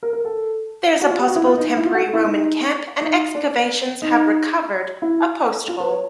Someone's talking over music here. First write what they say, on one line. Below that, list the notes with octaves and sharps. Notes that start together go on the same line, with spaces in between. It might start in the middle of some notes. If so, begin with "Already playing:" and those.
There is a possible temporary Roman camp and excavations have recovered a posthole.
A#4
A#4
A4
F#4
F4
G4
F#4
E4
F4
D#4
E4
F4
F#4
E4
D#4
D#4
D4
D#4
E4
F4
B4
C#5